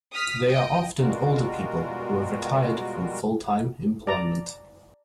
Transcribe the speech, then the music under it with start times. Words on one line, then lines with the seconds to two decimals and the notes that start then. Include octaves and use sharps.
They are often older people who have retired from full-time employment.
0.12 D#6 F6 B6
0.48 D#5 G5
1.01 B2 G3 G#3 F4 F#4 A#4
4.07 D5 A#5